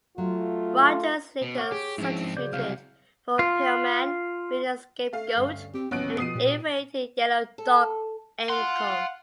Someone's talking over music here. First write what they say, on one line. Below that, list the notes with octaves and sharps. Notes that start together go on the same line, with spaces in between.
Rogers later substituted for Pillman, being the scapegoat in the ill-fated Yellow Dog angle.
F#3 A3 F4
B2
C#5 F#5 C#6 D6 F6
G4 G#4
G#2 F3 C4 C#4 E4
C#3 F#3 C5 D5 G6
C2 F5 F6
F4
A3 F5
D2 G2 C#4
C4 G4
A1 D#2 C3 F#3 B3 C#4 F#6 D7
B2 F3 A3 G4 D#6 C7 D#7
A#2 G4 D5
A4
F5 F#5 C6